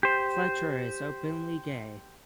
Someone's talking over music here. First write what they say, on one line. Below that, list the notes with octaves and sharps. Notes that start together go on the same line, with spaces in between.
Fletcher is openly gay.
G4 C5